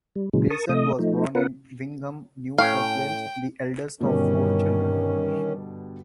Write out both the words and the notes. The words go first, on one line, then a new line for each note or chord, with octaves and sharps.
Gleeson was born in Wingham, New South Wales, the eldest of four children.
G3
A#2 C#3 E3 F#3 G#3
A#4 A5 C#6 D#6
C3 A3 D#5 D#6
F3 A3 D#4
B3 C#4 F4 A#4 B4 F#5
A2 C#4 F5 G5
G2 B2 D3 D#3 G3 C#4